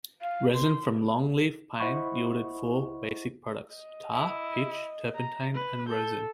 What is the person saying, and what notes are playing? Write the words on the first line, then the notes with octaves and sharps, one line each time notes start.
Resin from longleaf pine yielded four basic products: tar, pitch, turpentine and rosin.
F5
C6
E4 C5 D#5 F#5 B5 C#6
D#5
E4
A#5
B4
A4 G6